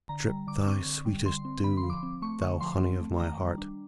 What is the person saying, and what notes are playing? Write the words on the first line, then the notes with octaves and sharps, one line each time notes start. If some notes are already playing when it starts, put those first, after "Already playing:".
Drip thy sweetest dew, thou honey of my heart!
D3 A#5
G3
D3 D6
C4 C#6
D3
G3
D3 C6
C4
D3 B5
C6
F3
D6
C4
A3 C#6
D3 C#6
F3 C6
C4
A3
D#3 A#5
G3
D4